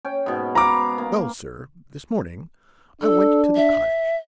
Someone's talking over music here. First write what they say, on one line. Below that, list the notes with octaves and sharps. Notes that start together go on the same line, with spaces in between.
Well, sir, this morning I went to the cottage.
C#4 G5
G#2 B2
F5 A#5 B5 D6
A#3
D4 A4
E5